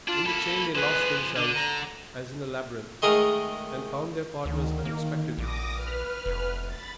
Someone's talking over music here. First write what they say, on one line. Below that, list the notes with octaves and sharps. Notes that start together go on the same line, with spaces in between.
In the chain they lost themselves as in a labyrinth and found their partners unexpectedly.
D4 F4
A#3 A4 B5
F3 G#4 B4
D3 D4
A#5
D#3 G#3 A3 D#4 G#4 A#4
D2 D#3
A#3
A#1 D6 D#6 A#6
B4 F6
F1
B5 A6